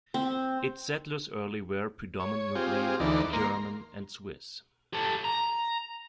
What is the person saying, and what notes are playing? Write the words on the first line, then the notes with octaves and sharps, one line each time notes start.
Its settlers early were predominantly German and Swiss.
C4
C#5
C4 F4 G4 G#4
D2 E3 D#4 D5
A#3 A#5 C6
G4 A4
A#5